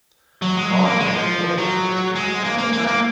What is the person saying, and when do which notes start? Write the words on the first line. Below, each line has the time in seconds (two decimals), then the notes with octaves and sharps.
Voluntary enclosure was frequent at that time.
0.42 F#3
0.57 G#3
0.70 F#3
0.85 A#3
1.00 G#3
1.14 F3
1.58 F#3
2.15 G#3
2.44 A#3
2.58 A#3
2.73 A#3
2.87 A#3